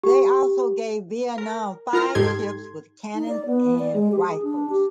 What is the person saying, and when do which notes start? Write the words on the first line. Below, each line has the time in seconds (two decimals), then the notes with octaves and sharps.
They also gave Vietnam five ships with cannons and rifles.
0.04 G4
1.38 A#4
1.93 F4 A#4 A#5 F6
2.15 G#2 D#4 G4 A4 C6 G#6
3.15 D#4
3.28 D5
3.46 B3
3.79 D5
3.93 G#3
4.12 G4
4.27 G#4
4.43 D4
4.69 G4